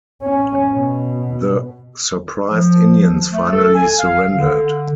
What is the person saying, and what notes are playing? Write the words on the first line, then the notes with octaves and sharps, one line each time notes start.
The surprised Indians finally surrendered.
C#4
B2
F3
A3
A4
G#5
F5
D3